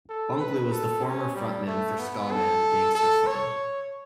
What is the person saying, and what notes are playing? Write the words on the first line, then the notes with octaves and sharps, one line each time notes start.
Bunkley was the former frontman for Ska band Gangster Fun.
A4
B4
A4
C#4
G3
A3
B3
A4
A4
C#5